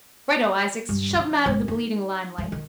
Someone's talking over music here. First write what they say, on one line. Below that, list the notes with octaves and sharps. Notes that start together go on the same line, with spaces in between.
Righto, Isaacs, shove em out of the bleeding limelight.
G2
F3
G#1
D#4
E3
D#3